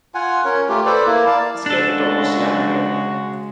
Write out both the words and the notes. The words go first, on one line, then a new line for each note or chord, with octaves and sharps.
Its capital was Yambio.
F4 F#5 G#5
C#4 A#4 C#5
A3 F4 G4
A4 B4 C5 D5
A#3 E4
D5 F5 A5
C#3 G#3 D4 F#4 A4